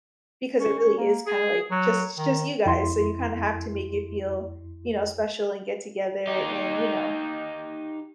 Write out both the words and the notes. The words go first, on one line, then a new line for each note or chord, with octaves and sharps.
because it really is, kind of, like, just just you guys, so you kind of have to make it feel, you know, special, and get together, and, you know,
C#4
C#4
A#3
G#4
F#3
D#3
F2 E4 C6
D#4 G4